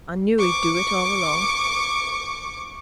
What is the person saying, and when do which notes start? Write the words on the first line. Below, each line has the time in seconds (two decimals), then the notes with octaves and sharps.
I knew he'd do it all long.
0.38 C#6 D6